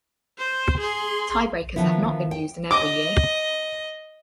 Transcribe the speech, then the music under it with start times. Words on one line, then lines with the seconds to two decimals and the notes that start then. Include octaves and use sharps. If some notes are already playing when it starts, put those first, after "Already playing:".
Tie breakers have not been used in every year.
0.38 C5
0.80 G#4 C6
1.76 D3 D#3 F3 B3 E4
2.31 G5
2.71 D#5 D6